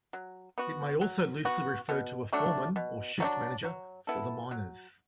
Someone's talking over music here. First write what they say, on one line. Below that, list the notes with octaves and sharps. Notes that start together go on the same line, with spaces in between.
It may also loosely refer to a foreman or shift manager for the miners.
F#3
B3 F#4
F#3
B3 F#4
B2
F#3 A3 D4
B2
F#3 A3 D4
F#3
B3 E4 A4
F#3